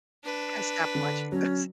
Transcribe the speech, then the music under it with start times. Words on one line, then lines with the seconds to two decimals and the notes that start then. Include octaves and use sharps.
Gotta stop watching those.
0.24 D4 B4
0.95 D3
1.32 F#3 C#4